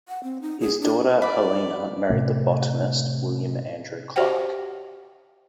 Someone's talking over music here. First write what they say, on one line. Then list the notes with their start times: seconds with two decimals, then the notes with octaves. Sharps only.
His daughter Helena married the botanist William Andrew Clark.
0.08 F#5
0.23 C4
0.42 D#4
0.60 G#4
0.82 D4
1.22 D5 B5 D6
2.10 A2 C3 A3
4.16 F#4 G4 C5 F#5 G5